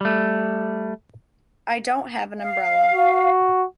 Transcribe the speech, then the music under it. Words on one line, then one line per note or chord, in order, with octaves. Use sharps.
I don’t have an umbrella.
G3 A3
F5
F#4